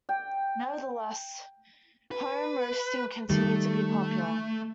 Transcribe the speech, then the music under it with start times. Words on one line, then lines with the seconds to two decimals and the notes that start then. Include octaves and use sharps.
Nevertheless, home roasting continued to be popular.
0.09 G5
2.11 B4
3.30 D#3 G3 A3